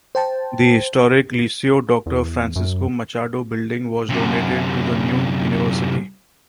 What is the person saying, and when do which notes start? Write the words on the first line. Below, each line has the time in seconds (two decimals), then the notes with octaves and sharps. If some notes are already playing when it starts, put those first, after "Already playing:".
The historic Liceu Doctor Francisco Machado building was donated to the new university.
0.15 C5 G5 A5
2.06 E2
2.56 F#2
4.09 F#2 C3